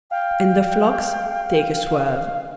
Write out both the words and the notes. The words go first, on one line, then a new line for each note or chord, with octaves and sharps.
And the flocks take a swerve.
F5 G5